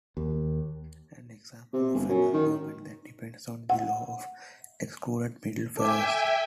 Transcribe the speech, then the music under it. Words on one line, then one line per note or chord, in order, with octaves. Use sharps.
An example of an argument that depends on the law of excluded middle follows.
D#2
C3
G1
F#2
D#3
F#5
A4 E5 G5 G#5 D6